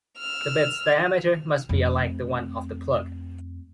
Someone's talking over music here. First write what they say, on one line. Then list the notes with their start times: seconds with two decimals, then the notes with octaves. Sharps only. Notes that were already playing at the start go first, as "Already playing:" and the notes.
The bit’s diameter must be alike the one of the plug.
0.18 E6 F6
1.69 F2 A3